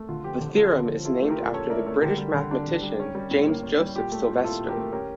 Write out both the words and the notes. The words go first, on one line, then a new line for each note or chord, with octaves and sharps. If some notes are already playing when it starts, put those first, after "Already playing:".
The theorem is named after the British mathematician James Joseph Sylvester.
Already playing: A3
D3 F4
F3 G4
D3 G4
C#4 F4 A4
D3
F3
E4 F4 A4
A3
G4 A#4
A#2
C#4 A4 C#5
E4 A#4 D5
A3 A4 C#5
D3 G4 A#4
G3
D3
D4
D3
G3
C#4
G3
A2
A#3
C#4
G3
A#2 G4
A3
A#2
E4 F4 A4
A#2
G4 A#4
A3
C#4 G4 A#4